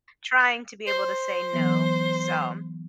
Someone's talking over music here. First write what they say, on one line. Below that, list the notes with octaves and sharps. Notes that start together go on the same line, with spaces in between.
trying to be able to say no, so
C5
E3 F#3 B3